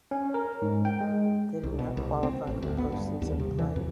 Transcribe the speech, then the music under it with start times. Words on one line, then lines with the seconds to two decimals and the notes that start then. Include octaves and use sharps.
They did not qualify for post season play.
0.11 C#4
0.34 A#4
0.62 G#2
0.85 G5
1.01 G#3
1.63 C2
1.79 B2
1.97 C2
2.23 C4
2.47 A1
2.63 D2
2.78 B3
2.92 G2
3.22 D#2
3.39 C3
3.58 E3
3.76 F2